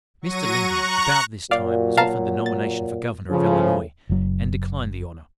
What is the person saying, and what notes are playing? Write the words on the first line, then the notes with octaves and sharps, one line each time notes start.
Mr. Lincoln, about this time, was offered the nomination for Governor of Illinois, and declined the honor.
F#3 C#6 A#6 D#7
A#5 C#6 F#6
A#2 F#3 D5 F5
F5 A5 A#5
A6
C#2 A2 C#3 F3
F#1 F#3